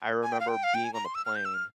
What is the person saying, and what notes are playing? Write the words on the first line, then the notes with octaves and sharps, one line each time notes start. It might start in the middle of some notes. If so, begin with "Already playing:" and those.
I remember being on the plane,
G#5
G5
F5
G5
F5
G5
G#5
A#5
C6
E6
F6
G6
E6
F6